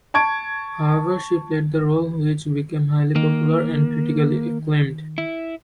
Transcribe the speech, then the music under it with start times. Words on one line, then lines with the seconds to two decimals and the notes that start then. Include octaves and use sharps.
However she played the role which became highly popular and critically acclaimed.
0.14 A5 C#6 G#6 D7
3.16 D#3 A#3
5.18 E4